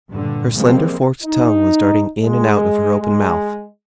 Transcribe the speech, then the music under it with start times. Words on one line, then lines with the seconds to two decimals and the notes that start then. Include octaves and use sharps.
Her slender forked tongue was darting in and out of her open mouth.
0.11 G2 A#2 D3
0.54 C#3 F3 G3 G#3 A#3 C4
1.23 D#4
2.22 G#3
3.00 G#3